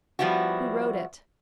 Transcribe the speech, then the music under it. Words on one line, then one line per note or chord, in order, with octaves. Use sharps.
"Who wrote it?"
F3 G3 B3 E4 F#4